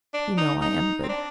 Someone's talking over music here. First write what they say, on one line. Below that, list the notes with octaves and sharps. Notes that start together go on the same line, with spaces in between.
You know I am good.
D4
D#4
D#4
C4
D4